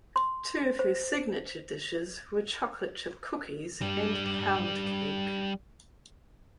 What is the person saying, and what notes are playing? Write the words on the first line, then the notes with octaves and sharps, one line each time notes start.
Two of her signature dishes were chocolate chip cookies and pound cake.
C6
C5
G3 D4